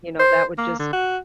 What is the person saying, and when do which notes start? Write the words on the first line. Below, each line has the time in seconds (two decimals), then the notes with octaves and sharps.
you know, that would just
0.19 C5
0.58 A#3
0.79 D3
0.93 F#4